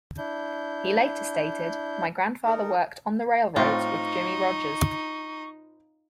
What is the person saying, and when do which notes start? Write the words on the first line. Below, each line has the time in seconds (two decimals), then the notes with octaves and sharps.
He later stated: My grandfather worked on the railroads with Jimmie Rodgers.
0.18 D4 E4 G6
2.45 D#4 A4 A#4
3.56 A2 C4 D#4 F4 C#6